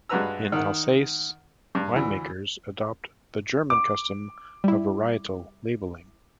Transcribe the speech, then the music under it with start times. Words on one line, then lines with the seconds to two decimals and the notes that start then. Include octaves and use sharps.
In Alsace, winemakers adopt the German custom of varietal labeling.
0.09 G2 G#3 F#4 B4 A#5 E6
0.52 D#3 F#5
1.75 G2
1.93 D2 E3
3.70 D6
4.64 G3 E4